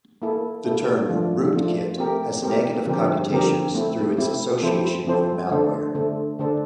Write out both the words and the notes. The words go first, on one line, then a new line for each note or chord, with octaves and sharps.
The term "rootkit" has negative connotations through its association with malware.
A#3 E4 A4
A#3 E4 A4
F3 A3 D4 F4
F3 A3 D4 F4
A3 C4 G4 A#4
A3 C4 G4 A#4
D3 F3 C4 G4 A#4
D3 F3 C4 G4 A#4
A3 C4 E4
A3 C4 E4
F3 C4 E4 A4 C5
F3 C4 E4 A4 C5
D3 A3 D4 A4 C5
D3 A3 D4 A4 C5
D3 A3 D4 A4 C5